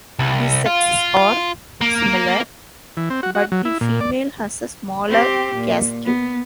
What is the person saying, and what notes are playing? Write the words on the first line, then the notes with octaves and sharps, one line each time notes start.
The sexes are similar, but the female has a smaller casque.
C2
F4
A#3
E3
C4
F#4
F#4
F#3
E4
A#2
D5
C4 G4
A#2
B3